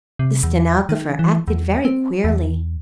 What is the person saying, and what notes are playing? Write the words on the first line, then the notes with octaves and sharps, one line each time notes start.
The stenographer acted very queerly.
C3
E2
D#3
E3
E2
C4
E2